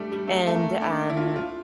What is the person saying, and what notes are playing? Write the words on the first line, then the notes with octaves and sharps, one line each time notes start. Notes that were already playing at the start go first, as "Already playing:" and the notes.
and, um,
Already playing: G3 A3 D4
G3
A3
A3
A#3
D4
E4
F4
F4